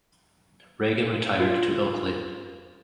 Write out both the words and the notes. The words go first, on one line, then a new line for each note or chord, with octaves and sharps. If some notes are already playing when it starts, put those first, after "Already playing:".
Regan retired to Ilkley.
F4